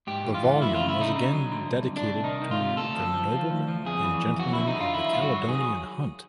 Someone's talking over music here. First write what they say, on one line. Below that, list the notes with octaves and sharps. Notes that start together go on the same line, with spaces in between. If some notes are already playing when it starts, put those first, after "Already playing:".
The volume was again dedicated to the "Noblemen and Gentlemen of the Caledonian Hunt".
G#2 G4
E3
F4
E3
D2 E4
F4
C#3
E4
C#3 D#4
D3
F#3
D3
C2
C2
D4
C2
D#3 D#4
D#3
F4
C3
D2 A4
F3
F3
F3
D2
F3
F2 G#4
E3
F2
F#3 F#4
E4
D3
D#4
D3 F4
D#3 E4
G2 F4
F#4
F#3
D#3 G#4